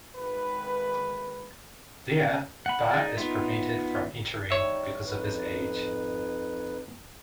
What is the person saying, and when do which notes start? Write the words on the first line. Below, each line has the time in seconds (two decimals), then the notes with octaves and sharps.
There, Bart is prevented from entering because of his age.
0.15 G#1 B4
2.66 F#5 B5
2.91 D#4 G#4 D5
3.17 B3 D#4 F4 E5
4.51 G3 D#4 C#5 E5
5.06 F2 D#4 B4